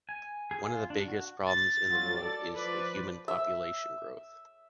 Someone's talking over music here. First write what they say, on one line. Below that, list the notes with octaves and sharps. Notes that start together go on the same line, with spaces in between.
One of the biggest problems in the world is the human population growth.
G#5
G#4
F4
D4
F#4
A6
F#3 F4
A4 D5
F3 B4 C5 D5
E5